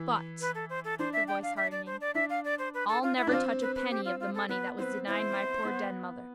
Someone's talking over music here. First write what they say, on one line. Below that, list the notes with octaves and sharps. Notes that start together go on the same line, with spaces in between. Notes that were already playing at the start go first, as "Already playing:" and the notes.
But," her voice hardening, "I'll never touch a penny of the money that was denied my poor dead mother.
Already playing: E3
B4
A4
C5
A4
D4 C5
E5
G5
F5
E5
D5
C5
D5
D4 E5
F5
D5
C5
B4
A4
F4
E4
D4
C4 F4
B4
B4
G4
F4
F4
A4
B3 B4
C4 C5
B4
E4 C5 D5
B3